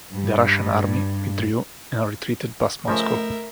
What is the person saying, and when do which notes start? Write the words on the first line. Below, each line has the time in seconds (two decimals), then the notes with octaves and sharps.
The Russian army withdrew and retreated past Moscow.
0.13 G2
2.88 C#3 F3 A3 C#4 A#4 E5